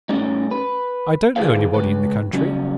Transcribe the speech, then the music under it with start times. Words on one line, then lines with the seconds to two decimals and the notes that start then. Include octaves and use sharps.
I don't know anybody in the country.'
0.09 A2 G3 C#4 D#4
0.51 B4
1.36 D3 E4 G#4 B4 C5 F5
1.74 C#2 D#3 B4
2.33 C#3 F#3 G3 C#4